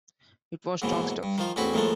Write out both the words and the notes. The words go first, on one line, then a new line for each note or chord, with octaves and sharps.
It was strong stuff.
D#2 G#2 B2 E3
G2
D#3 F3 F4
A1 E2 C4 C#4 F#4 B5
D#2 A2 D#3 F3 G#3 A4